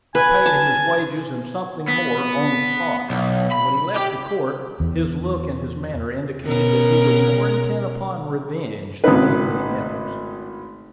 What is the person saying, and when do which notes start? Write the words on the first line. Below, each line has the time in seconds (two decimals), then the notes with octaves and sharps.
I paid him his wages, and something more, on the spot; and when he left the court, his look and his manner indicated that he was more intent upon revenge than anything else.
0.15 B4 G#5
0.46 A5
1.88 B3
3.10 B1
3.52 B5
3.96 G4
4.80 E2
6.44 B2 C#4 A#4
9.04 G#1 A2 C#3 D#4 B4